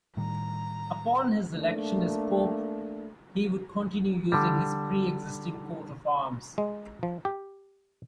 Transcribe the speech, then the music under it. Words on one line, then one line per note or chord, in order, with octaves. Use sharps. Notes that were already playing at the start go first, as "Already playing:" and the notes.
Upon his election as pope, he would continue using his pre-existing coat of arms.
A2 D#3 G3 A#5
A3 A#3 D4
D3 G3
G#3
F3
G4